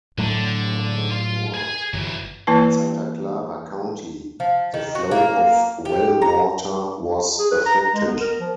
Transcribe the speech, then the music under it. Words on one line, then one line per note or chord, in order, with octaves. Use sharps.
Farther north in Santa Clara County the flow of well water was affected.
A2 D3 F#3 A3
F4
G#4 G#5
G1 E3 F#3
E3 A#3 E4 B4 A5
F3
D#3
F#4
A#3
G4
A#5
G#4
B4
A#5
A#5
G#3
B3
A#4
F3